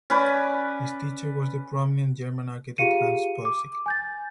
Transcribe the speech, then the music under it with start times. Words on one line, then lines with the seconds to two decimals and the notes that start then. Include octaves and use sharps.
His teacher was the prominent German architect Hans Poelzig.
0.10 C#4 B4 D5
2.78 F4 G4 G#4 F5 C#7 D#7
3.45 D6
3.86 G#5 G6 A6